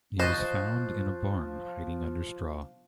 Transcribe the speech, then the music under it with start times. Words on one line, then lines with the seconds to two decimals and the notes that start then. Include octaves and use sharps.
He was found in a barn hiding under straw.
0.20 F3 C5 D#5 C#6 F#6 A6